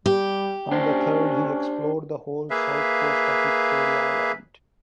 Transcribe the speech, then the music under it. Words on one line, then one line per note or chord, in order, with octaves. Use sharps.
On the third he explored the whole south coast of Victoria Island.
G3 G4
C#4 D4 C5
A#3 G#4 B4 E5 F5